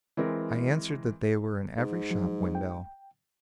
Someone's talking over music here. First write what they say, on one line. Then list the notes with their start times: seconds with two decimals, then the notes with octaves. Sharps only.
I answered that they were in every shop window.
0.17 E3 G#3 C4 A#4
1.78 G#2
2.10 F3 F#3
2.55 G5